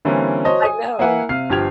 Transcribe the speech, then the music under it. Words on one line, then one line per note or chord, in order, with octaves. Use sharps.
I know.
D3 E3 G3 A#3 C4 C#4
F#4 C5 C#5 D#5 A5
G#5 D#6
A#3 E4 E5 F#5 G#5
C3 F5 F6 C7
G1 F3 G4 G#6 F7